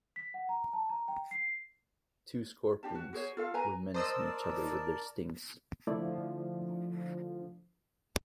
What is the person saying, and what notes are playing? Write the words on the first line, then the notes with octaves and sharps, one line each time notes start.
Two scorpions were menacing each other with their stings.
B6
F#5
A#5
A5
A#5
G5
C7
D4 G4 A5
F#4
F#4 G#4 C5 C#5
F4 A4 F5
B4 G#5 A#5
A#4 C5 D5 D#5 A5 E6
D3 F3 A3 E4 D5